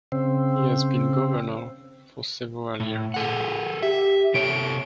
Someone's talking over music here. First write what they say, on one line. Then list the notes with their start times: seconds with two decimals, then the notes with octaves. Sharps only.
He has been governor for several years.
0.12 C#3 C4
2.80 A2
3.14 G#4 A4 F#5
3.83 G4 E5
4.34 C3 A4 C#5 D7